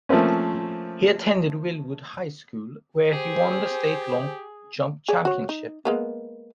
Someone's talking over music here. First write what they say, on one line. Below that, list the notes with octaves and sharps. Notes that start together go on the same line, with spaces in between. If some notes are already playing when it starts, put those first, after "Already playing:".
He attended Wildwood High School, where he won the state long jump championship.
F3 A3 A#3 C4 C#4
G4 G#4 C5
G#4 D5
F#4 C#5
D#4
G#3 A#3 B3